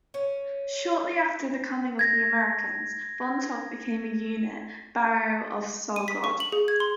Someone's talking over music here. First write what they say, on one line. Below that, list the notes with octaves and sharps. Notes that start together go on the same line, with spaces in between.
Shortly after the coming of the Americans, Bontoc became a unit barrio of Sogod.
C#4
G#6 A#6
D#7
B6
C#6
F#7
G#4
G#6
C6